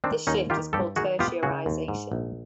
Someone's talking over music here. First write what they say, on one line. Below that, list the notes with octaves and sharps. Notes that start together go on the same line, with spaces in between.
This shift is called tertiarisation.
D#3 C4 D4
D#2 C#4 D#4
D#3 F4 G4
G2 G4 A4
D#3 F#4 G#4
B3 F4 G4
C#3 F#4 G#4
D#2
G#2
A#1